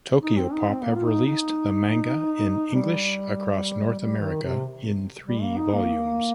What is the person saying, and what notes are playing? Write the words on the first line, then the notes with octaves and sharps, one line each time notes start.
Tokyopop have released the manga in English across North America in three volumes.
D#4
C4
D#4
C4
A#3
F4
D#4
D#4
G3
G3
D#3
C3
G3
A#3
D#4
A#3